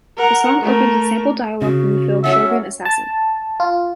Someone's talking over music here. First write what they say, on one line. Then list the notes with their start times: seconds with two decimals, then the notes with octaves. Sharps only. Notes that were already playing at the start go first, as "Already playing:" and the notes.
The song opens with sampled dialogue from the film "Shogun Assassin".
0.17 A#4 F#5
0.61 A3 A#4
1.62 C#3 F#4
2.24 F#3 C#4 A4 E5 F#5
2.85 A5
3.60 F4